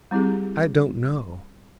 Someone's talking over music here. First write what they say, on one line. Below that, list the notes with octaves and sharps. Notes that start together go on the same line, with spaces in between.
I don't know.'
G3 C4 E4 G4 G#4